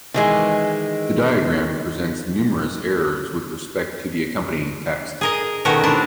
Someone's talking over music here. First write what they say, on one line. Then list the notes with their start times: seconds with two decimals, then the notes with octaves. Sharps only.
The diagram presents numerous errors with respect to the accompanying text.
0.14 D#3 E3 G#3
5.21 G#4 A#4 D#5
5.65 B2 D#3 A3 C#4 F#4 A#4
5.83 C3 D4 E4